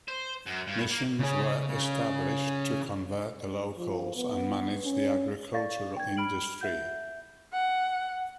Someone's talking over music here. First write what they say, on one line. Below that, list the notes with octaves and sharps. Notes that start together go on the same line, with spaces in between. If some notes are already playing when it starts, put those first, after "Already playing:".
Missions were established to convert the locals, and manage the agricultural industry.
C5
F#2
G2
A#3
C#3 C#4
F3
B3
C#4
D5 F5 C#6 A6
G5 G#6
B5 F6 D7 F#7
E5 F#5 G6
F#5